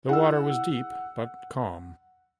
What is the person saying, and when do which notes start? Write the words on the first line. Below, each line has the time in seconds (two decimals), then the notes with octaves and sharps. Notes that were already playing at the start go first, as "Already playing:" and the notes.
The water was deep, but calm.
0.09 E4 G4 G#4 F#5 E6